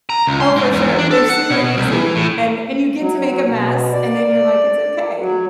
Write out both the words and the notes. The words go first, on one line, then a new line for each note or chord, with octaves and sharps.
Oh, for sure, they're super easy, and and you get to make a mess, and then you're like, "It's okay.
A#5
C#2
C6
G#2
E2
D4
A4
F#5
B2
C2
E3
A2
F#3
F#3
B2
D5
F#3